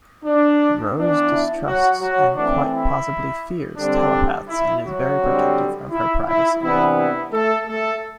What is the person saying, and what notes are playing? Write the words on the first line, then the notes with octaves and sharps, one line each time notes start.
Roz distrusts and quite possibly fears telepaths and is very protective of her privacy.
D4
E3 B3 D4
E4
F#3 F#4
F#3 F#4
E3 A3 C4 D4
E4
D3 G3 C4 D4
E4
F#3 F#4
D3 G3 C4
E4
E4
C3 E3 B3 D4 E4
E4
A3 A4
A3 A4